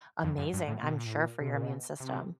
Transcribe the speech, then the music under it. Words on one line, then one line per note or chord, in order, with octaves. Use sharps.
amazing, I'm sure, for your immune system.
F2
F#2
G2
A2
B2
A#2
A2
A#2
C3
B2
A#2
B2
C3